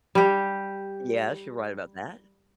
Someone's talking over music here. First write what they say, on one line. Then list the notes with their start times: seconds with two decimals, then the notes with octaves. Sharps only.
Yes, you're right about that.
0.15 G3 G4